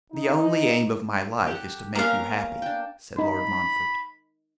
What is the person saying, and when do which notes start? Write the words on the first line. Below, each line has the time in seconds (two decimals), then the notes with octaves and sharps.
'The only aim of my life is to make you happy,' said Lord Montfort.
0.13 D#4
1.47 G4 A4 F#5
1.95 A#3 B3 C#4 A#4 F5
2.62 D4 G5
3.18 D#4 B5